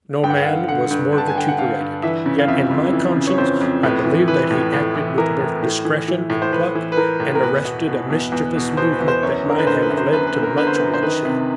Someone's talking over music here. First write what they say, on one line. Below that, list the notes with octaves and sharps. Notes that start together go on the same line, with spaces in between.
No man was more vituperated; yet, in my conscience, I believe that he acted with both discretion and pluck, and arrested a mischievous movement that might have led to much bloodshed.
G2 G5
F#5
F5
D3 F#5
D3 F#5
G2
G2
A5
G#5
D3 G5
F#5
D3 F5
G2
E3 E5
C#3
F5
F2 E5
F2
E3
C#3
C#5
F2 C5
F2
A2 B4
E3
E3 B4
A2
A2
E3
E3 A#4
A2
A2
E3
E3
A2
C5
A2 B4
E3
B4
E3 A#4
A2
A#4
E2 B4
B2
B2
E2
E2
B2
B2 C5
B4
E2
C5
F#2 C#5
D3 A#4
B4
D3 C5
B4
F#2
C5
F#2 B4
B4
D3
A#4
D3 B4
C5
B4
F#2
C5
D#3 B4
C3